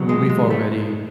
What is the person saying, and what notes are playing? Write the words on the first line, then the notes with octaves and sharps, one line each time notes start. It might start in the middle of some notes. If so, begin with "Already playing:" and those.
I mean, we've already
Already playing: E2 C#3 F#3
G#3
G#3
A3